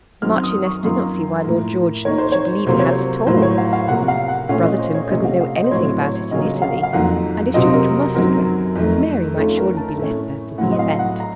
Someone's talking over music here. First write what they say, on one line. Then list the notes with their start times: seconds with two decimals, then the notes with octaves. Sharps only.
The Marchioness did not see why Lord George should leave the house at all. Brotherton couldn't know anything about it in Italy, and if George must go, Mary might surely be left there for the event.
0.22 F#2 D#3 F#3 C4 F6
0.36 F6
0.43 D#6
0.64 C#6
0.83 F#2 D#3 A#3 F4 C6
1.44 A2 F3 A#3
2.05 D#3 A#3 D#4 C#5
2.18 C5
2.32 C#5
2.66 C3 F#3 A#3 F4 C5
2.79 C#5
2.93 C5
3.27 A2 F#3 A#3 F4 C5
3.42 C#5
3.58 F5
3.73 F5
3.88 C3 F3 A#3 F#5
4.08 F5
4.28 F#5
4.49 A#2 A3 C#4 F4 F5
4.65 D#5
4.79 C5
4.94 C#5
5.09 C3 F3 A3 C#4 D#5
5.25 F5
5.41 F5
5.56 D#5
5.64 C5
5.71 A2 F#3 C4 C#5
6.01 C#5
6.31 C#3 F#3 A#3 C#4 F4 D#5
6.62 F5
6.83 F5
6.93 F2 D#3 F#3 A#3 F4 F#5
7.54 C3 F#3 C4 F4 D#5
7.74 A#4
8.14 F#2 D#3 F#3 C4 A#4
8.75 F2 D#3 A3
9.36 D#3 A3 C#4 F4 A4
9.57 A#4
9.77 A5
9.97 A2 A3 C#4
10.58 A2 F#3 C4 F#5
10.72 D#5
10.79 F5
10.99 F#5
11.20 A#5